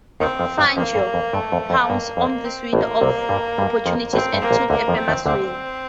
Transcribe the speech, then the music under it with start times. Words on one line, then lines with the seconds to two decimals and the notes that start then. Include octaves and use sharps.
Fangio pounced on this window of opportunity and took a famous win.
0.20 D#2 D#3 C4
0.39 F2 F3
0.58 G2 G3
0.77 F2 F3 A#3
0.95 G2
1.14 F2
1.33 G2 A3
1.52 F2
1.70 F2
1.89 G2 A#3
2.17 F2
2.45 C4
2.73 A1 A2 A#3
3.01 C2 C3
3.29 G2 G3
3.58 G2 G3
3.86 F2 F3
4.13 A1 A2 C4
4.33 G2
4.41 A#3
4.51 A#1 A#2
4.70 D2 D3 A#3
4.88 F2 F3
4.98 C4
5.08 D#2 D#3
5.26 D2 D3 C4